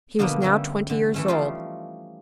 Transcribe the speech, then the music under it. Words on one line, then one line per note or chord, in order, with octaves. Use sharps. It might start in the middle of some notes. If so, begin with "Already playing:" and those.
He was now twenty years old.
B2 D3 F3 G3 A#3 B3
D3 G3 A3 C#4
D3 E3
E3 A3 C#4
E3 F3 G3 A3 D#4 F4